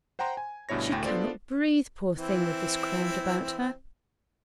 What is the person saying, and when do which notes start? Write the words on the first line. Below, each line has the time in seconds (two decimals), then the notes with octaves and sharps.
She cannot breathe, poor thing, with this crowd about her.'
0.19 C5 F#5 G5 A#5 C6
0.37 G#5
0.69 D2 G2 B2 E4 C#5 A#6
0.92 D2 A2 G5
1.06 B3 D4 F4 A4 C5 D5
2.16 E3 C4 E4